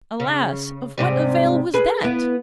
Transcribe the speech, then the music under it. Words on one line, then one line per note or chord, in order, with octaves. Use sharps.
Alas! of what avail was that?
C#3
G#2 C3 G3
G#4 B4
B3 E4